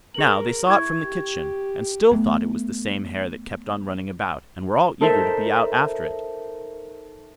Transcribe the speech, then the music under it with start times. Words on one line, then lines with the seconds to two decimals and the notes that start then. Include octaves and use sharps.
Now, they saw it from the kitchen, and still thought it was the same hare that kept on running about, and were all eager to be out after it.
0.14 G#4 A#4 F#7
0.67 E4 C#6 G#6
1.01 G4
2.11 A3 B3
5.01 D#4 A4 A#4 C5 E5